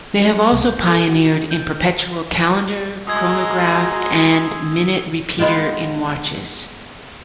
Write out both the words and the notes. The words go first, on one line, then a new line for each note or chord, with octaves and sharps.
They have also pioneered in perpetual calendar, chronograph and minute repeater in watches.
G3
C2
G6
A4
F#4
G6
G#3 F#4 A#5 D#6 E6 G#6
G#3 B3 F4 G5